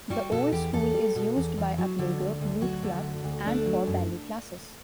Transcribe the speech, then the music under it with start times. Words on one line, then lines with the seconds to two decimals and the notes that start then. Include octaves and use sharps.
The old school is used by a playgroup youth club and for ballet classes.
0.10 G3 F#4
0.32 B2 A4
0.52 E2 G4
0.73 E2 A4
0.94 G3
1.15 B2
1.36 E2
1.57 E2
1.78 F#3
1.99 D3
2.20 D2
2.41 D2
2.61 F#3 F#4
2.83 D3
3.03 D2
3.24 D2
3.46 A3 D4
3.66 F#3
3.87 F#2